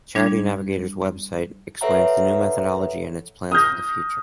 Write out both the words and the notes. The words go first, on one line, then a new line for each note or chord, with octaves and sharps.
Charity Navigator's website explains the new methodology and its plans for the future.
G3 D4 G#6
A4 B4 C#5 E5 F#5 A#5
D#6 F6 G6 A#6